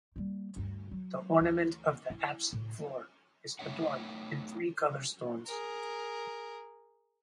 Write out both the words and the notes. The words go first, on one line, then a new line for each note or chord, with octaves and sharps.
The ornament of the apse floor is adorned in three color stones.
G3 A#3
D2 G2
F#3
D2 E3
E4
A2 C#3
A3 C#4 D#4 C#5 E5 F#5
G#4 A#4